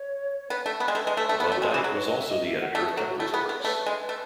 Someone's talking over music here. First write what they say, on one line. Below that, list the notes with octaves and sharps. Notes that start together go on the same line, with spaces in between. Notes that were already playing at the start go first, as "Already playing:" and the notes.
Von Dyck was also the editor of Kepler's works.
Already playing: C#5
C#5
B3 B4
A3
B3
G#3
A3
G#3
A3
A3
B3 A4
A3
F#4
G#3
E3 G#4
F#3 G#4
B4
D#5
E5
D#5
E5
F#5
A3 E5
F#4
G#4
B4
F#3 A4
F#4
A3 E4
G#4
B3
G#4
B3
G#4
C#5
A3 B4
G#3
A3